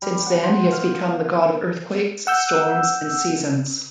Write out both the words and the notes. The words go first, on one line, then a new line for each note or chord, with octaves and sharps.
Since then he has become the god of earthquakes, storms and seasons.
G3
F#5
C5
F5
F#5 E6 G6